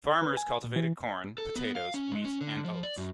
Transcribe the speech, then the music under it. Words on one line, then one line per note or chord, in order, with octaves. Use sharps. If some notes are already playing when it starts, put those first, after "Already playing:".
Farmers cultivated corn, potatoes, wheat and oats.
B4
G#5
A#2
E3
A4
B3
F5
C#4
G#3
C#4
D3
F3
D5
F#2